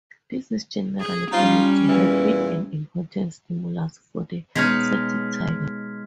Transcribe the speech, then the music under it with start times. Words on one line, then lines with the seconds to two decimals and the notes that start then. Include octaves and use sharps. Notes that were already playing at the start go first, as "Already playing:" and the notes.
This is generally believed to have been an important stimulus for the Celtic Tiger.
1.00 G#4
1.32 G3 C#4 D#4 F4
1.88 E2 A#2 E3
4.55 B2 G#3 D#4 C#5 F6 G#6 B6